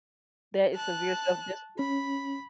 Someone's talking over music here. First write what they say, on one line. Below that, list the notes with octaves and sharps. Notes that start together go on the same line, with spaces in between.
That is severe self-discipline.
A5 F#6
C#4 B5